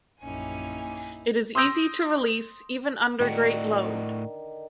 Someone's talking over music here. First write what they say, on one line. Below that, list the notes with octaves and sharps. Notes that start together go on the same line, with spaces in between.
It is easy to release, even under great load.
A#1 F#2 A#3 C#4 D#4 E4 G4 G#5
C6 D#6 E6 G6 A#6 D7
A2 D3 D#3 F#4